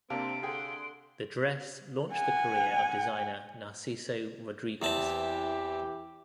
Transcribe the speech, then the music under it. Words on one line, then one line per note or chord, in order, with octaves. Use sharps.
The dress launched the career of designer Narciso Rodriguez.
C3 A#3 C4 D4 F5 A5 D7
D3 G#4 F#5 G5 C6
F#5 G#5
E2 E3 C4 G4 A5